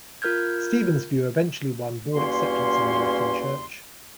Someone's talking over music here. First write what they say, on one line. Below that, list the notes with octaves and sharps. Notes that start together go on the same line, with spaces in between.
Stephen's view eventually won broad acceptance in the Latin Church.
F4 A#4 F6 G6 G#6
E2 G2 A#3 C#4 F#4 C6